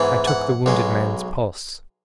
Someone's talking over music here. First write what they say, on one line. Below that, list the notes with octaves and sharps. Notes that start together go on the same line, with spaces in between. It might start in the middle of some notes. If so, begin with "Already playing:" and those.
I took the wounded man's pulse.
Already playing: G#2 E3 B3
F#5
B1 B2 G#3